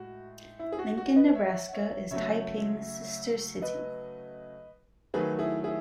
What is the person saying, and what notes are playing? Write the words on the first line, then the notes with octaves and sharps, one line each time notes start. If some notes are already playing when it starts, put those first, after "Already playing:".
Lincoln, Nebraska is Taiping's sister city.
Already playing: A2 G#3 F#4
E4
G#4
F#4
F#4
B4 D#5
C#5 E5
F#5
C#5 E5
C#3 F#3 A3 C#5 E5
B4 D#5
D#3 F#3 A3 G#4 B4
E4 G#4
E4 G#4